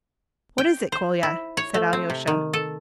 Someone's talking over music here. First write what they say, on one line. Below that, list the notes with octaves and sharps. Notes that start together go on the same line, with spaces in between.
"What is it, Kolya?" said Alyosha.
G5
C5
E4
C#5
A3
C4
C3
D#3
A4